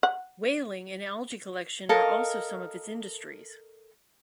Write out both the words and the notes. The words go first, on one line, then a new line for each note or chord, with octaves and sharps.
Whaling and algae collection are also some of its industries.
F#5
A4 A#4 D#5 F5